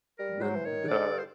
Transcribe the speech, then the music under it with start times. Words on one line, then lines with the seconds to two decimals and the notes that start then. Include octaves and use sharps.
then the
0.19 G3 A#4
0.42 F#3 C5
0.56 E3
0.65 D#3 C#5
0.88 D3 D5
1.18 C5